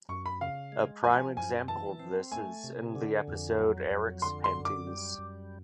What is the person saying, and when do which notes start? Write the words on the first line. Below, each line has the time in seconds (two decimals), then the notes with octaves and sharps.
A prime example of this is in the episode "Eric's Panties".
0.09 F#2 C#6
0.26 B5
0.41 C#3 F5
0.72 G#3
1.04 F3 G#5
1.37 F#2 G#5
1.68 E3 A5
2.00 C4
2.31 A3 G#5
2.64 C3
2.95 D3
3.28 F2
3.59 F#3
3.90 F2
4.22 D3 C6
4.44 C6
4.55 F#2
4.65 D6
4.87 G3
5.18 F#2